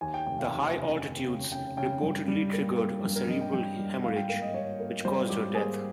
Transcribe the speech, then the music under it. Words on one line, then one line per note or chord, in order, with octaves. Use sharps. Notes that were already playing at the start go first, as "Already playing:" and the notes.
The high altitudes reportedly triggered a cerebral hemorrhage, which caused her death.
D#2 G#5
G5
F1 G5
F5
D#2
C#3
F1
C#3
C#3 G5
C#3 G5
G2
G3
A#3
A#3
G2
A#4
G2 D#5
G5
G2 G5
G3
G#1 F5
G5
A#3 F5
D#5
G3 C#5
A#3
G3 C5
G#1 G4
A#3 G#4